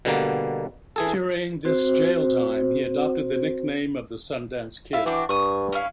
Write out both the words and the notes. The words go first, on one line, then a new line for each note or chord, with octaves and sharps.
During this jail time, he adopted the nickname of the Sundance Kid.
B2 D3 G3 A#3
E3 G#4 A4
C4 F#4 C5
E4 E5 F5
E3 D4 F#4 G4
G2 C#6 D#6
C#4 E4 F5